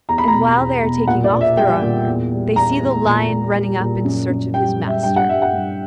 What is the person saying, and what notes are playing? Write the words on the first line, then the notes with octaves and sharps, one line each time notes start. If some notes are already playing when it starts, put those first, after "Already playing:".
And while they are taking off their armour, they see the lion running up in search of his master.
E2 A#5
B5
A#5
B2
E2
B2
A#2 F#5
D5
A#2
E5
G3 G5
A#2
E2
G3
E2 A#5
E2
A#2
A#2
G3
A#2
F#2
F#2
G3 G5
G3
E5
G2 G5
F#5
G3 E5
F#5
G2